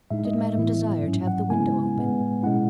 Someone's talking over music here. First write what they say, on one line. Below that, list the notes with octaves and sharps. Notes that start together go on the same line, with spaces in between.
Did madame desire to have the window open?
A2 G#3 D#4 E5
D#5
E5
A2 E3 B3 E4
G#2 F#3 C#4
F#5
C#3 G#3 B3 E4 G#5
A2 G#3 B3
B2 G#3 C#4 E4 F#5